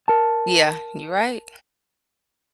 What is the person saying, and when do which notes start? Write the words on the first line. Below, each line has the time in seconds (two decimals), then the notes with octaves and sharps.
Yeah. You're right.
0.08 A#4 A5